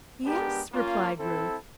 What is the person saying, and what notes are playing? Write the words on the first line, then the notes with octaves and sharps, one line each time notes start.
"Yes," replied Ruth.
G#3 B3 D4 G4 A#4
A#3 C#4 F4
C4 E4 A4